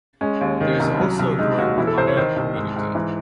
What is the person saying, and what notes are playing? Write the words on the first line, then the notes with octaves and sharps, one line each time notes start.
There is also a growing Romani community.
G#3 C#4
D#2
D#3
C2
F#3
C2
G#3 D#4
D#2 F#4
E3 E4
A4
C2 C5
C#5
D#3 C5
C2
G#2
G#2
E3